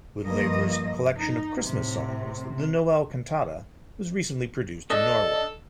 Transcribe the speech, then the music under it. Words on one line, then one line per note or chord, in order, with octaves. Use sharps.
Woolaver's collection of Christmas songs, "The Noel Cantata," was recently produced in Norway.
G2 F3 A#3 D#5
D#4
A2 C3
D4 A4 D#5